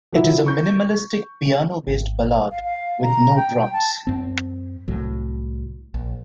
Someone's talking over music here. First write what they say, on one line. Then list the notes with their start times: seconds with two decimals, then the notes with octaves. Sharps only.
It is a minimalistic piano-based ballad with no drums.
0.13 F3 F#3 E4
0.46 C#6 G6
1.87 G#1
2.51 F5
2.65 F5
3.03 A#5
3.36 G5
3.73 A5
4.07 F#2 C4
4.88 C2 A2 F#3
5.94 A#1